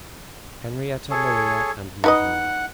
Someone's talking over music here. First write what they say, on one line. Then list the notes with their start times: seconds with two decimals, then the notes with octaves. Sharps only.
Henrietta Maria and Mazarin.
1.11 G#4 A4 C#5
2.04 D#4 B4 D#5 F#5